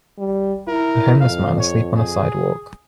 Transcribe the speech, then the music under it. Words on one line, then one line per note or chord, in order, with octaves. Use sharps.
A homeless man asleep on a sidewalk.
G3
E4 A#4
F2 F5
C#5
G#4